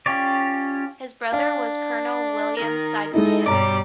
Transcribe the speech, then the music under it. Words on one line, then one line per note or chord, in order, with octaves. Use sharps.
His brother was Colonel William Sydenham.
C#4 F4 G4 C#5 D5
D4 F5
D#3 A#4
G#3 D#4 E4 A4 D#5
G2 B2 G3 C#5 A#5 D6